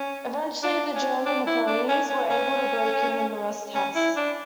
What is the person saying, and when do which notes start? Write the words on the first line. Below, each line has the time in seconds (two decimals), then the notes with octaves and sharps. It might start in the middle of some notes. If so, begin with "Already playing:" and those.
Eventually, the German authorities were able to break in and arrest Hess.
Already playing: C#4
0.63 D4
0.95 C#4
1.25 D4
1.47 E4
1.67 D4
1.88 C#4
2.09 C#4
2.29 C#4
3.74 C#4
3.95 E4
4.16 D4